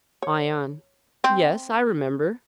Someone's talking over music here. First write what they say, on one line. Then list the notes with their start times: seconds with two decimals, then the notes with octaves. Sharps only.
ION: Yes, I remember.
0.22 C#5
1.24 C4